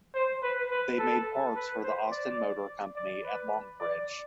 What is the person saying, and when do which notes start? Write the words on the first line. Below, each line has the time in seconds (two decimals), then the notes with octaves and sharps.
They made parts for the Austin Motor Company at Longbridge.
0.15 C5
0.43 B4
0.71 B4
0.99 A4
1.56 B4
1.83 C5
2.11 D5
2.96 D5
3.24 B4
3.80 D5